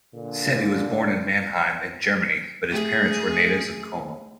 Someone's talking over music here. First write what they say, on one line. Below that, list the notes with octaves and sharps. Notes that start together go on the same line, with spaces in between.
Cetti was born in Mannheim in Germany, but his parents were natives of Como.
A#2 D3 D4
A3 G#4